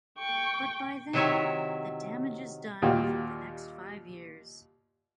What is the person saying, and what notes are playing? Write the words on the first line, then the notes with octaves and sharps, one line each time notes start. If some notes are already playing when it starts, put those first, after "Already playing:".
But by then the damage is done for the next five years.
G5 C#6
C3 D#3 F#3 E4 C#5 E5
D#2 A#2 G3 F4 F#4 G5